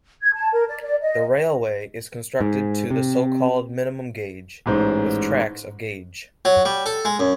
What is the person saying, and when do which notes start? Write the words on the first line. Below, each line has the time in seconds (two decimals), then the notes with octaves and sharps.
The railway is constructed to the so-called minimum gauge, with tracks of gauge.
0.22 G#6
0.34 A5
0.53 A#4
0.68 D5
0.82 D5
1.01 D#5
2.41 G#2
2.91 C3
4.66 A1 G#2 C5
6.45 F#3
6.65 G3
6.86 A4
7.05 G#3
7.19 F#2